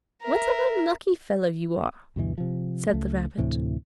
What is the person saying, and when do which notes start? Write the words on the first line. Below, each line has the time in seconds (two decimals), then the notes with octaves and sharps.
"What an unlucky fellow you are!" said the rabbit.
0.22 A#4 E5
2.16 D2 G2 B2 E3
2.38 C3 F3
2.90 C#2 A3
3.38 D2 A2 C3 E3